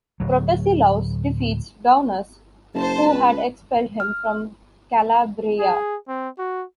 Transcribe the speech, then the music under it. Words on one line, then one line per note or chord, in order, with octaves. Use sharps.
Protesilaus defeats Daunus, who had expelled him from Calabria.
D1 F#3
F#1 C5 A5
C#2 B4
F6
G#4
C4
F#4